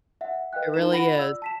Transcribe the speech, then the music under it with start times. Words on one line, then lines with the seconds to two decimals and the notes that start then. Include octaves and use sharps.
It really is.
0.21 E5 F#5
0.53 B4 D#5 F5 G5 F#6
0.74 D#4 E4 A#4 E7
0.91 F4 F#5 B5 A#6
1.15 D5 E6
1.42 A5 B6 E7